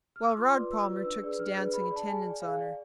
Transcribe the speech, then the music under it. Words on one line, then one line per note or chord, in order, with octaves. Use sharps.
Well, Rod Palmer took to dancin' attendance on her.
F6
E6
D6
F4 C6
B4 D5
F4 E6
B4 D5
D4 E6
G#4 B4 D5
D4 F6
G#4 B4 D5
G#4 B5
D5 A5
G#4 G#5
D5
G#4 F5
D5